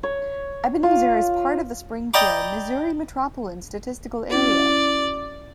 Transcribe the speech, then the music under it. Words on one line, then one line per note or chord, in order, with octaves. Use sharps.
Ebenezer is part of the Springfield, Missouri Metropolitan Statistical Area.
C#5
F4
D5 D#5 G5 A#5 B5 D6
C#4 E4 F#4 D5